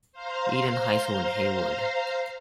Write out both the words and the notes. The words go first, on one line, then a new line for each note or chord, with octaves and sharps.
Eden High School in Hayward.
C5 F5 A#5 C6